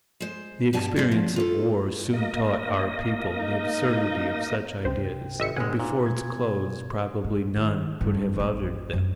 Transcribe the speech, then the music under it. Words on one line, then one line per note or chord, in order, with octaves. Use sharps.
The experience of war soon taught our people the absurdity of such ideas, and before its close probably none would have uttered them.
G#3 C5
G2 B2 G4 G#5 A5
G3 G#3 F4
F3
F4 A4
A#3 D#5
D#4
C#2 C3 C5 G5
G#1 D#5 E5 C#7
G1 G#3 F#5 G#5
A#2 D#4 F#4 B4
B2 G#6
G#2
D#3
G2 G3
A#1 C4
F#2